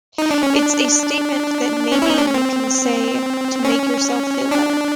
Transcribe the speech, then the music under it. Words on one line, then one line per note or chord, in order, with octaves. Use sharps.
It's a statement that maybe you can say to make yourself feel better.
D#4
D4
C#4
D4
C#4
E4
D#4
D4
C#4
C4
C#4
D4